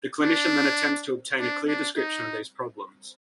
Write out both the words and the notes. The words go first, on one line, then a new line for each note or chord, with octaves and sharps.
The clinician then attempts to obtain a clear description of these problems.
D4
D4
D4
D#4